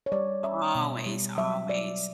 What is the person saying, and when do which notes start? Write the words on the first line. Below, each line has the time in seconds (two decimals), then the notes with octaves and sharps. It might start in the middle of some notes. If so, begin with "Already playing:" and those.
Always, always.
0.06 C#5
0.12 G3 D5
0.43 C#4 E5
0.75 B2
1.06 G3
1.37 F#3 E5
1.69 F#3 D5